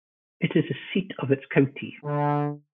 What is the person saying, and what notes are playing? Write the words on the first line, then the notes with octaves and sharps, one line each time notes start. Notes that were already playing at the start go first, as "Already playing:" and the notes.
It is the seat of its county.
D3